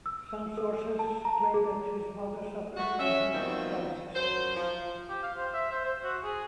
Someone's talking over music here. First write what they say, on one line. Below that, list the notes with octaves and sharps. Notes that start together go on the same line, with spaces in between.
Some sources claim that his mother suffered from hemoptysis.
E6
A4
A5
A#5
G#4
A3 F#4
C#4 E5
B2 D#3 F3 G3 C4
F#2 C5
F3
G4
F5
C5
E5
C5
C5
F#4
G#4